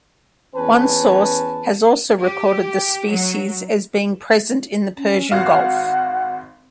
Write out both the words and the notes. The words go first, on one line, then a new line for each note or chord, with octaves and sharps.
One source has also recorded the species as being present in the Persian Gulf.
E2 C#4 B4 A5
G4
F#3
C#4
G#1 F#4 F5 F#5